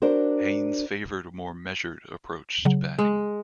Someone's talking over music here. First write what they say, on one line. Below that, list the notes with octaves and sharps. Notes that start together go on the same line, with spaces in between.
Haynes favoured a more measured approach to batting.
D4 F#4 A#4 C5
C#3 F#3
G#3